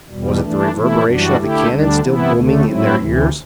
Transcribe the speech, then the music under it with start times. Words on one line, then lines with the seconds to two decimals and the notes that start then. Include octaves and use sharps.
Was it the reverberation of the cannon still booming in their ears?
0.09 E2 B2 G3
0.40 E3 A3 D4
0.72 C3 E3 A3 E4
1.04 F#2 E3 G3 D4 F#4
1.36 D3 A3 E4 G4
1.68 D2 D3 G3 D4
2.00 C3 E3 B3 E4
2.32 D2 D3 A3
2.64 A2 F#3 C4 E4
2.97 D2 C3 E3